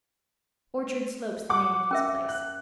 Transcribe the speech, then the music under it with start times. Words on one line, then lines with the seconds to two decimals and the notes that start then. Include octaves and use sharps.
Orchard Slope's the name of his place.
1.49 F#5 D6
1.91 C#4 A#4 E5
2.29 F#6